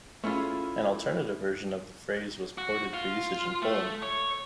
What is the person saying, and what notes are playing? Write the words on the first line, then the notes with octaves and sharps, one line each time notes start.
An alternative version of the phrase was ported for usage in Poland.
A3 C#4 E4 F4 G#4
F#4
F4
A3
C#5